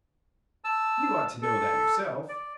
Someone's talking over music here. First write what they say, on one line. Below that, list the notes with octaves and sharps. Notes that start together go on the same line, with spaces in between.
You ought to know that yourself.
A5 E6
A4
D5